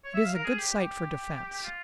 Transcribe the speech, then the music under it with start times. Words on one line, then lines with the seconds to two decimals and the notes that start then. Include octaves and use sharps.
It is a good site for defense.
0.05 C#5
0.14 E5
0.25 F5
0.35 A#4
0.44 G#4
0.58 G4
0.71 G4
1.64 F4